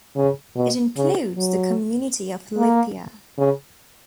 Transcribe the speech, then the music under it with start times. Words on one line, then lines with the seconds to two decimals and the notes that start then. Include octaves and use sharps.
It includes the community of Lithia.
0.17 C#3
0.56 B2
0.97 C#3
1.37 F#3
2.57 A#3
3.38 C#3